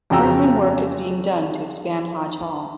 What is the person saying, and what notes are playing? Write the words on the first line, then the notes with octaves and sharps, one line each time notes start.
Currently work is being done to expand Hodge Hall.
F2 C#3 F#4 G5 A#5 E6